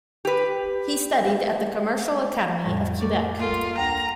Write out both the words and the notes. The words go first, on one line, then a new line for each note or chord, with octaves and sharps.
He studied at the Commercial Academy of Quebec.
G4 B4
F2 A2 G3
A3 A#3 D5
A#3 F4 A4
D2 G5 A#5